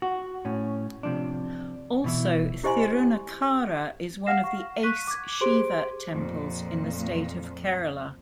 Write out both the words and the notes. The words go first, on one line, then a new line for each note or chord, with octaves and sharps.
Also Thirunakkara is one of the ace shiva temples in the state of Kerala.
F#4
A2 C#4
C3 F3 D4
B2 E3 E4
E4 G4 C5 D#5 G#5 C6
F5 F#5 F6 A#6 C7 E7
C#6
C#6 F#6 B6 D#7
D6 G#6
G4 G#4 C5 C6 D7
F2 A#2